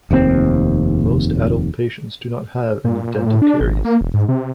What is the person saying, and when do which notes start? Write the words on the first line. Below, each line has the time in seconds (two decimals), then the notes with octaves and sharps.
Most adult patients do not have any dental caries.
0.11 F1 D#2 A#2 C4
2.85 A#2
3.07 A#2
3.26 A2
3.42 D4
3.60 G#1
3.85 A#3
4.01 E1
4.14 G#2
4.28 C3